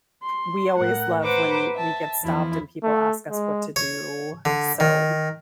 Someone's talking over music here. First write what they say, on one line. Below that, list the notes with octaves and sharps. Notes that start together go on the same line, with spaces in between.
we always love when we get stopped and people ask us what to do. So,
C6
A2 A#4 F#5
B4 C5 F#5 A#5 D6
E5 A5
E2 F3 E4
A3
G#3
C#5
D3
D#3